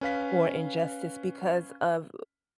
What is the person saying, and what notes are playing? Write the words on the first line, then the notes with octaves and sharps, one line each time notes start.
for injustice because of
C#4 B4 F5 B6